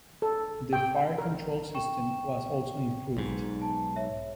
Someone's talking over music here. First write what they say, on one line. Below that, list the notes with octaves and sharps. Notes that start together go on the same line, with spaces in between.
The fire-control system was also improved.
A4
G5
A#4
G5 C#6 E7
B1 G#2
A5
C#5 E5